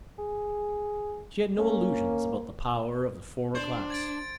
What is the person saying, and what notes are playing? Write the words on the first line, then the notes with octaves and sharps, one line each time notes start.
She had no illusions about the power of the former class.
G#4
A#3 C#4
D4 C5
G#6 A6 D7